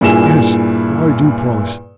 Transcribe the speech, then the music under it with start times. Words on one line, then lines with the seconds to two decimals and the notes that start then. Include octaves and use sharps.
Yes, I do promise.
0.01 G2 A#2 E4 G#4 E7